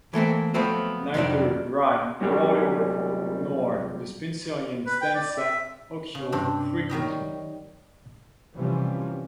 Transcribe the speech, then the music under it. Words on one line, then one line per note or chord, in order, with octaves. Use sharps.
Neither rhyme royal nor the Spenserian stanza occurred frequently.
E3 A3 A#3 C4
F3 F#3 A3 B3 C4 F#4
F2 C3 D#3 F#3 G3 D4
C2 F#2 C3 F#3 G3
B4
G5
D5
E5
C#3
G2 C3 D4
D#3 F#3 G3 D#4
C3 E3 F3 G3 C4 C#4